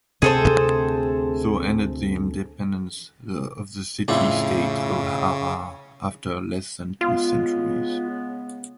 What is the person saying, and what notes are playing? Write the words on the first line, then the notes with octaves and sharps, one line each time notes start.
So ended the independence of the city-state of Harar after less than two centuries.
D2 C3 C4 G#4 A4 C5
F2 A2 C#3 E4 F4 D5
C#3 G#3 B3 F4